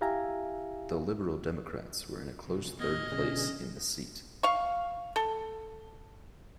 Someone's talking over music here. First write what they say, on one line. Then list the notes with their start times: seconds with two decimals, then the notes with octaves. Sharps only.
The Liberal Democrats were in a close third place in the seat.
0.01 E4 G4 E5 F5 G#5 A#5
2.47 C3 F3 F#3
2.80 A2 B3 D#5 F6 G#6
3.12 B2 D3 F#3 C#4 G#4
4.43 F5 C#6
5.16 A4